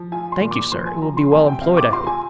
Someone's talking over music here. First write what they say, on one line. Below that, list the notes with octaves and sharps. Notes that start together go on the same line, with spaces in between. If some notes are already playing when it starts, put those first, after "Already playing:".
"Thank you, sir; it will be well employed, I hope."
Already playing: F3
F4 G#5
C6
A#2
D6
F3 C6
G#5
F3 A#5
C6
C3 G#5
G5
C3 F5
D6
F4 C6
G#5